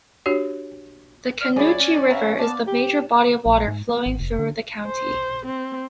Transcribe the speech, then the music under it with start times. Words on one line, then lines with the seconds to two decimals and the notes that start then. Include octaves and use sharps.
The Canoochee River is the major body of water flowing through the county.
0.26 D4 F#4 G4 C#5
1.41 D5 F6
1.56 F#2 F#3 E4 G#4 B4 C#5 D5
1.79 C#4 F#5
2.10 A#4 E5 F5 B5
2.38 B3 D5 F5 A5
2.67 G4
3.46 A#1
3.68 G#2
3.89 A#3
4.06 G#1
4.20 F1
4.39 D3
4.86 C5
5.46 C4